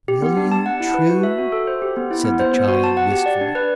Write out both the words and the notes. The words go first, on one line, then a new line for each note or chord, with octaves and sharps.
"Will you, true?" said the child, wistfully.
G4
B3
D4
A5
F#5
E4
B4
F#4
E5
F#4
A4
C5
G4
B3
E4
B3
C5
B3
F#4
A5
F#5
G4
D5
D4
B4